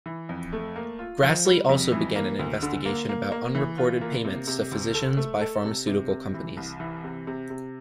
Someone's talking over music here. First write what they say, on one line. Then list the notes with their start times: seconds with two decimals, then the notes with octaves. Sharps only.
Grassley also began an investigation about unreported payments to physicians by pharmaceutical companies.
0.06 E3
0.29 F2
0.53 A3
0.76 A#3
0.99 F4
1.23 F3
1.45 G3
1.69 F2
1.92 E3
2.16 A#3
2.39 D2
2.62 D3
2.85 A#3
3.09 A#3
3.32 A#3
3.55 E3
3.78 F4
4.01 A#3
4.25 C3
4.47 C3
4.71 D2
4.94 A4
5.17 A3
5.41 A4
5.64 C3
5.87 C3
6.10 C3
6.34 E3
6.57 C2
6.80 E3
7.04 C3
7.27 C3
7.50 C3